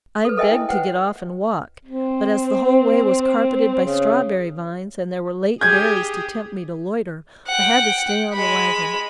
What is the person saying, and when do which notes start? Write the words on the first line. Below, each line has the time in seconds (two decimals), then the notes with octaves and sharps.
I begged to get off and walk; but as the whole way was carpeted by strawberry vines and there were late berries to tempt me to loiter, I had to stay on the wagon.
0.25 A4 B4
0.37 A4 A#4 D#5 E5 G5 G#5
0.51 E4
0.69 B4 C5 F#5 G5
1.85 C4
3.85 C#3
5.61 G4 G#4 G6 G#6
7.47 F#5 G5
8.34 G#3 B5